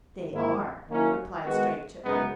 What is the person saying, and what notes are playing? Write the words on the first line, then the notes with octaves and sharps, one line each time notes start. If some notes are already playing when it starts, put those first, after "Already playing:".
"They are," replied Striped Chipmunk.
G#2 D#3 A#3 E4
D#3 F#3 A#3 C#4 E4
D#3 G#3 B3 F#4
F#2 C#3 G#3 B3 D#4